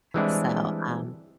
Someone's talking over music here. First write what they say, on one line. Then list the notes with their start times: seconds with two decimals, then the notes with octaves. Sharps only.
so, um,
0.14 E3 G3 G#3 C4 D4 E4